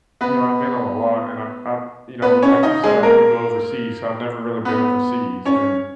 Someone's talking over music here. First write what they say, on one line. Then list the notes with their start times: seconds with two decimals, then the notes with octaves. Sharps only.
you know, I've been on a lot, and I've I've you know, like you said, I wanna go overseas. I've never really been overseas, and
0.21 B3 B4
2.22 B3 B4
2.42 C#4 C#5
2.63 D#4 D#5
2.83 G#3 G#4
3.03 A#3 A#4
4.65 B3 B4
5.45 C#4 C#5